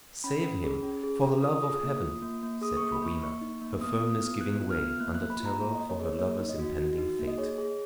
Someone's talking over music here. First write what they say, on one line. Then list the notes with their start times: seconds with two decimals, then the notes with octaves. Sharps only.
"Save him, for the love of Heaven!" said Rowena, her firmness giving way under terror for her lover's impending fate.
0.24 C#4 B5
0.43 C#4
0.64 G#4
0.83 C#4
1.03 G#4
1.23 C#4
1.42 F4 D#6
1.63 G#4
1.83 A#3
2.02 F4
2.22 A#3
2.43 A#3
2.61 G#4 D#6
2.77 C#6
2.82 A#3
2.92 B5
3.02 A#3 C#6
3.21 A#3 C#6
3.41 D#4
3.61 A#3
3.81 B3 D#6
4.00 F4
4.21 B3
4.40 B3 F#6
4.60 F4
4.71 F6
4.81 B3
5.00 A#3 F#6
5.15 F#6
5.20 A#3
5.30 B5
5.40 F4
5.45 A#5
5.60 A#3
5.75 A#3 D#5
5.90 C#5
6.00 G#4
6.05 C#5
6.19 A#3 C#5
6.39 D#4
6.49 D#5
6.59 F#4
6.78 F#4
6.98 D#4
7.19 A#3
7.27 D#5
7.38 G#4 C#5
7.58 G#4